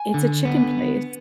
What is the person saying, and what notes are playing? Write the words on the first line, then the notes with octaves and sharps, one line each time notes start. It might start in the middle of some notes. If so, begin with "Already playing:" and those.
It's a chicken place.
Already playing: G#5
D3
B3